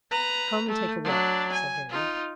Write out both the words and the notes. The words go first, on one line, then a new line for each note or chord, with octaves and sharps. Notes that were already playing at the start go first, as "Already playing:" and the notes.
"Come and take a walk," said Harry.
B4 A#5
A3
F#3 D4
G#5
D#4 F4